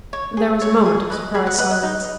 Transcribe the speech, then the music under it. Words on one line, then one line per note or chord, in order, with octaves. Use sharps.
There was a moment of surprised silence.
C#5
G#4
C#5
G#4
B4 D#5
G#4 B5
F#5
B4 D#5 F#5
D#5
D#4